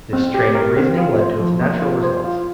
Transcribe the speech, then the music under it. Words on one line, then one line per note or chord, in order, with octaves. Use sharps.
This train of reasoning led to its natural results.
C4
G4
A#4
C4
F4
C5
F3
A#3
F4
C5
F4